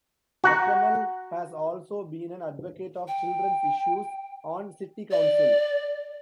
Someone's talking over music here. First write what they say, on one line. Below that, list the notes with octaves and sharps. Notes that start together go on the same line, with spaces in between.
McConnell has also been an advocate of children's issues on city council.
F#4 F#5 A#5
G5
D5